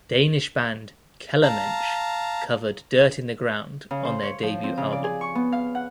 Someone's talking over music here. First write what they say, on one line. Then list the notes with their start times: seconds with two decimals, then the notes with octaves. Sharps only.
Danish band Kellermensch covered "Dirt in the Ground" on their debut album.
1.43 F5 A5 A#5
3.91 C#3
4.05 C5
4.23 C#5
4.43 F3
4.64 C4
4.77 C#3
4.92 D5
5.04 G#4
5.21 C#6
5.35 B3
5.52 F5
5.75 F#5